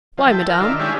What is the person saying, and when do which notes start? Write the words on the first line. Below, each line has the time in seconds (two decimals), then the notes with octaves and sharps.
"Why, madame?"
0.18 F3
0.31 E4 G5 A5
0.49 A#4 F6
0.60 D#3 F4 D5 E5
0.80 G#3 C#4 D4 E4 G4